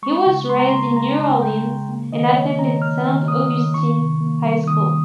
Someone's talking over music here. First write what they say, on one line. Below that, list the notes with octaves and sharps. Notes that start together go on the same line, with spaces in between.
He was raised in New Orleans and attended Saint Augustine High School.
G#3 C#6
C#3
G#3 C6
A#5
C#3 C6
G#3 A#5
C#3
G#3 G5
C#3
A#3
D#3 D#5
A#3 C#5
D#3 A#5
A#3 F6
D#3
A#3 D#6
D#3
D#3 C#6
C3
A#3
G3
D#3 D#6